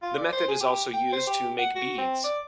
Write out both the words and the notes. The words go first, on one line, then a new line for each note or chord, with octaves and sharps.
The method is also used to make beads.
F4
D5
C5
G#4
G4
G5
C5
G4
F#5
F#4
C4
D5